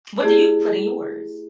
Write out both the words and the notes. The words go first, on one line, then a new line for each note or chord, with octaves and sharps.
What do you put in yours?
A3 E4 G4 G#4 D5